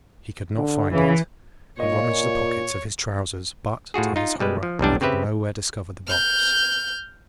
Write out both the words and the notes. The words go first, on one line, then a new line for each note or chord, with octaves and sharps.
He could not find it; he rummaged the pockets of his trousers, but, to his horror, he could nowhere discover the box.
D3
C#3 E3
A#2 C#5 D#5
A2 F4 F#4 G#4
D#4 F4
B2 G3 G#3 B4
F3
B1 E2 G3 D4
C#3 C4 G4 B4 E5
F6 G6